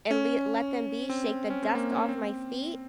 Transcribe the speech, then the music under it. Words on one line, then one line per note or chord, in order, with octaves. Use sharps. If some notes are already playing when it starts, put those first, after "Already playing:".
and le let them be, shake the dust off my feet,
C#4
C4
C#4
C4
A#3
C#4
C4